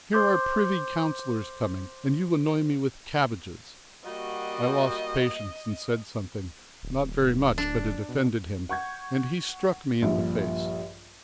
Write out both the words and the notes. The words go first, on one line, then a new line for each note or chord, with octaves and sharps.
Here are privy councillors coming, and you annoy me with cabbages!' I lost patience and said something--not very much, but it offended him, and he struck me in the face.
C5 C6 D6 G6
G3 A#3 F#4 D#5
D1
D4
B2
F#5 C#6 G6 G#6
A#1 G2 F3